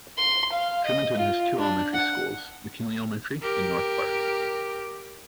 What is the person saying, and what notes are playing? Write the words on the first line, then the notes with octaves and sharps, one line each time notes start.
Tremonton has two elementary schools, McKinley Elementary and North Park.
C6
F5
D#5
F4
D4
F#5
G4 A#4